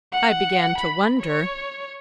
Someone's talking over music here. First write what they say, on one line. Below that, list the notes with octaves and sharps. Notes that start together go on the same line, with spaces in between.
"I began to wonder."
F#5
B5
C#5